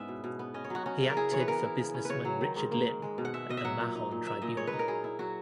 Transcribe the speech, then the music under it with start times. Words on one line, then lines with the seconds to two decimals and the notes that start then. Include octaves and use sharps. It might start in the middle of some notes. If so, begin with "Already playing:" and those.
He acted for businessman Richard Lynn at the Mahon Tribunal.
Already playing: G#2 G#3 B3 C#4 E4 E5
0.08 B2
0.24 B2
0.39 B3
0.54 C#4 D#5
0.64 C#5
0.70 F#3 F#4
0.86 C#4 F#4
1.01 C#3
1.10 A#4
1.17 E4 G#4
1.32 E3 C#5
1.40 B4
1.48 B3 A#4
1.64 E4
1.79 C#3
1.94 C#4
2.05 C#3 B4 C#5
2.25 F#3
2.41 D#3
2.56 G#2
2.71 A#3
2.87 G#2
3.02 G#3
3.18 B2
3.25 F#5
3.34 G#3 E5
3.49 B2 D#5
3.57 E5
3.64 F#3 F#5
3.80 A#2
3.95 D#4
4.11 A#2
4.27 D#4 E5
4.42 A#2 D#5
4.57 G#3 C#5
4.67 B4
4.72 D#4
4.79 A#4
4.88 F#3 G#4
5.04 E4
5.19 F#3 F#4